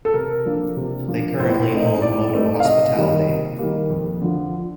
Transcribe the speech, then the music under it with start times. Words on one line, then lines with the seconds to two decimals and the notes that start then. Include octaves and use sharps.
They currently own Moto Hospitality.
0.05 A4
0.14 C3 A#4
0.46 F3 A#3 D4
0.77 C3
1.08 F3 A#3 D4
1.40 A2 C5
1.71 A3 C4 D#4
2.02 A2 D5
2.33 A3 C4 D#4
2.60 F5
2.65 C3 D#5
2.96 D#3 G3 A#3
3.28 C3
3.59 D#3 G3 A#3
3.90 F2
4.22 D3 F3